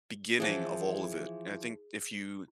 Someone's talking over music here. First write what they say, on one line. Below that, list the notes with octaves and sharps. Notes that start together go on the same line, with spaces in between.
beginning of all of it. And I think if you
E3 F3 G#4 F#5